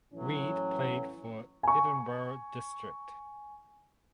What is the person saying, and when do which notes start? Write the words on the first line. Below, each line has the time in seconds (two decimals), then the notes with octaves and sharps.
Reid played for Edinburgh District.
0.14 A2 E3 F#3 C#4
1.63 G#5 C#6